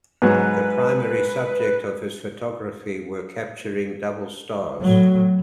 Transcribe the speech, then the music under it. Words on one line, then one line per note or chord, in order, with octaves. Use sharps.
The primary subject of his photography were capturing double stars.
G#2 F#3 B4
A2 F#3